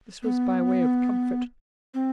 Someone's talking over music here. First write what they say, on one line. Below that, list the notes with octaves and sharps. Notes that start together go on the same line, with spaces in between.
This was by way of comfort.
B3
C4